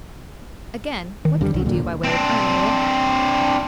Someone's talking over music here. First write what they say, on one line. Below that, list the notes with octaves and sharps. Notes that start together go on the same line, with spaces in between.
Again, what could he do by way of earning a living?
D#3
F2 D3 G3
C2 F#3
D#2 A#2 D3
C4 D4